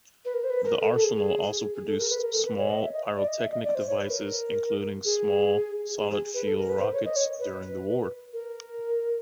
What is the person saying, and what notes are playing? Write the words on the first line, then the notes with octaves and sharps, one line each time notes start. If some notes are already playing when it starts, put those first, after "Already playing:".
The arsenal also produced small pyrotechnic devices including small solid-fuel rockets during the war.
B4
A#4
C5
B4
A#4
A4
A4
G#4
G#4
G#4
A4
A#4
B4
A#4
A4
B4
C#5
D#5
E5
D#5
D5
D#5
E5
D#5
D5
C5
C#5
B4
A#4
G#4
G#4
G#4
B4
A4
A#4
B4
C5
C#5
D#5
C#5
B4
A#4